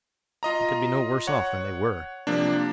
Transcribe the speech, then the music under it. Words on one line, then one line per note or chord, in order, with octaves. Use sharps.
They could be no worse off than they were.
F4 D#5 A#5
C#5 F#5
C3 F3 A#3 D4